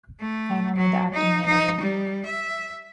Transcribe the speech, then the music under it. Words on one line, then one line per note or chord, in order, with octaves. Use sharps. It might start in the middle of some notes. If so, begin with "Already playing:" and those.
I am only the acting manager.
A3
F#3
D#4
D#4
G3
E5